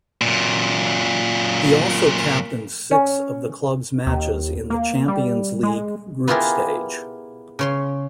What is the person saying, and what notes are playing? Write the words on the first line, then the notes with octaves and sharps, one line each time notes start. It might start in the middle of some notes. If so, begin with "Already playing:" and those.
He also captained six of the club's matches in the Champions League group stage.
F#2 A#2
C#4
D#2
A#3
G3
G#3
B3 E4 F4 G4 G#4 A#4
C#3 C#5 C6